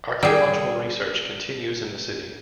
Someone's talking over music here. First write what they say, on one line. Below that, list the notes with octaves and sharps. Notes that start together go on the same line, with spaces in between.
Archaeological research continues in the city.
G3 G#4